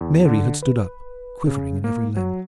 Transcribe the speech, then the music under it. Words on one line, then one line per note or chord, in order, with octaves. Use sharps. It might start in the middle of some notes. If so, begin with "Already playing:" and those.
Mary had stood up, quivering in every limb.
E2
D3
B4
C#3
A#3
F#3